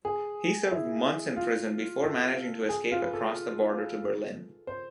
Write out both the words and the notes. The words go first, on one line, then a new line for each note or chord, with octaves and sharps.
He served months in prison before managing to escape across the border to Berlin.
G#4
E4
F4
A4
G#4
F4
B4
A4
C5